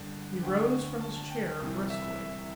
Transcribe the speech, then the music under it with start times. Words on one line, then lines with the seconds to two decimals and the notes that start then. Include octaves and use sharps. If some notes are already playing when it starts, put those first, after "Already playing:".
He rose from his chair brusquely.
Already playing: G2 D3 A5
0.42 D2 D3 G5
1.01 A5
1.16 A5
1.30 G5
1.60 C2 C3 E3
1.90 E5